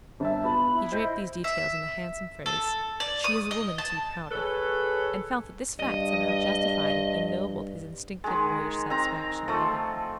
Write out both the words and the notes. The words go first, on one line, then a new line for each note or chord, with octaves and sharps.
He draped these details in the handsome phrase "She's a woman to be proud of", and felt that this fact somehow justified and ennobled his instinctive boyish satisfaction in loving her.
G1 E5 A5
B3 F4 B5
E4
C5 D#5 G6
E5
A4
D5
D#6
D#5
A5
G#4 A4 B4 C#5
G2 D#5
D#3 G#3
C4 A#5
F3 A3